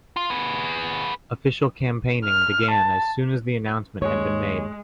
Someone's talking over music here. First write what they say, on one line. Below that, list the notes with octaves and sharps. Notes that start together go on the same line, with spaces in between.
Official campaigning began as soon as the announcement had been made.
F4
G#4 B4
F6
A5
D#2 G#3 C#5